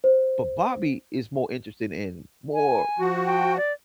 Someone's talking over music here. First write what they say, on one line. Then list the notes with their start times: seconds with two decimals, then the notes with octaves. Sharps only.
but Bobby is more interested in more
0.04 C5
2.54 G#5
2.99 F3 F#4
3.26 G5
3.57 D5